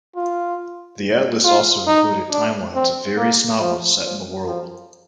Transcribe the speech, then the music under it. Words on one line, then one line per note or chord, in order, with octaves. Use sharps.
The atlas also included timelines of various novels set in the world.
F4
F4
D#4
D4
C4
A#3
F3
F3
F3